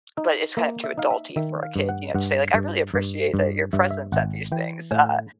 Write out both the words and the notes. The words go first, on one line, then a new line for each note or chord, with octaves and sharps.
but it's kind of too adulty for a kid, you know, to say, "I really appreciate that your presence at these things," uh,
D#4
A#3 E5
E5
D#4 F5
E5
D#3 E5
F5
G2
F#5
G2 F#5
G2
G2
G2
G2 E5
F5
E5
G#1 F#5
E3 G5
A2 G#5